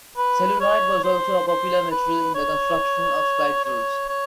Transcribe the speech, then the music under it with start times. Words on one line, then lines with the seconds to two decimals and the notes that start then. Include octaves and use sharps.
Celluloid was also a popular material in the construction of slide rules.
0.17 B4
0.61 C#5
1.04 C5
1.48 C5
1.91 B4
2.35 C#5
3.65 C#5
4.09 C#5